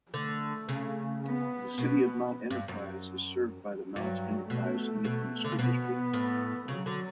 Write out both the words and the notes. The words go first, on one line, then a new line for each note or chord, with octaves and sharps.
The City of Mount Enterprise is served by the Mount Enterprise Independent School District.
D3 A3
C#3
B3
B2 B3
G2
F#2
G2 F#3
B2 A3
B2
D3
C#3
B2 B3
A2
C#3 F#3
D3